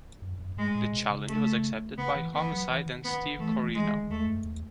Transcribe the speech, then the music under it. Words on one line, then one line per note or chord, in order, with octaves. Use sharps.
The challenge was accepted by Homicide and Steve Corino.
F#2
F#2
G#2 G#3
A2
B2
C#3
A3
C#3 B3
E3
E3 B3
F#3
E3
D#3
B3
E3 A3
E3
E3 G#3
D#3
E2 A3
F#2
E2